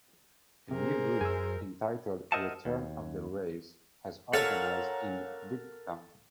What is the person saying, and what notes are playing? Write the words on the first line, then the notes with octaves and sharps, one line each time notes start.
A new group, entitled Return of the Rails, has organized in Bridgton.
C3 G#4 A#4 C5
F#2 G#5 E6
A#4 C5 D#5 E5 F#5 A5
D#2
A#2 A4 A#4 C#5 F5 F#5